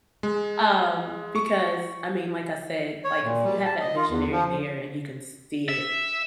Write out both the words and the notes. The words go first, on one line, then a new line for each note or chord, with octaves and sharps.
um, because I mean, like I said, like, if you have that visionary there and you can s see it,
G#3
C#6
C#5
A#2
G3
A5
D#5
F4
E2
F3
E5